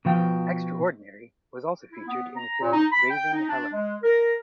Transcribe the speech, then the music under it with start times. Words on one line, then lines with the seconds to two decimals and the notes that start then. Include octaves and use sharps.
"Extraordinary" was also featured in the film "Raising Helen".
0.05 B2 F3 G5
1.92 E4
2.07 B3
2.36 A#5
2.61 A#2
2.72 D#4
2.91 B5
3.10 G5
3.33 D#4
3.48 D4
3.73 G#3
4.03 A#4